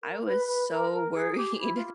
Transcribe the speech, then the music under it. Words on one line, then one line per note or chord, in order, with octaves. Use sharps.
I was so worried,
A#4
B4
B4
A#4
A#4
G#4
G4
E4
F4